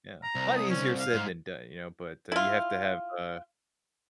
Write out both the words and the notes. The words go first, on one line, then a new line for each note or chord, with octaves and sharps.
Yeah, lot easier said than done, you know? But, uh, you have to have, uh,
A#5
C2
D#6
C#4
F5
G#2
E4 F4